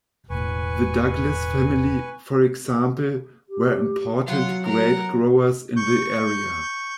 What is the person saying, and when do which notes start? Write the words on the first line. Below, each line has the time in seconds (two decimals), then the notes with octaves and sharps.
The Douglas family, for example, were important grape growers in the area.
0.30 E1 A2 B4 G#5 C#6
3.49 G4
4.26 F#3 F4 F#5
4.63 A#4 F#5
5.76 C#6 G6